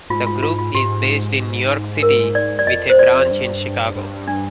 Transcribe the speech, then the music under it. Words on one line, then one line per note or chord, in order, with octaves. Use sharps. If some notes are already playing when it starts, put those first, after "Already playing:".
The group is based in New York City with a branch in Chicago.
G#2 F4
F4
F4
F4
G#2 G4
A#4
D5
G2 D5
F2 D#5
C5
D5
G2
G2
D4